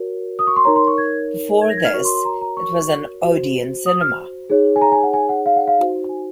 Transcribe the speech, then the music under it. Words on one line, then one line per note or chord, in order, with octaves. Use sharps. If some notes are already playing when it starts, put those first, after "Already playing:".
Before this, it was an Odeon cinema.
Already playing: F#4 A#4 C#5
D#6
C#6
C6
D#4 A#4 C#5 A#5
C6
C#6
G#6
G#6
A#6
G#6
F6
F#4 A#4 C#5 C#6
C6
C6
A#5
A#5
C#6
F#4 C5
D#6
F6
D#4 G#4 C#5
G#5
A#5
G#5
F#5
G#5
F#5
F5
F#5
F5
D#4 F#4 C5
G#5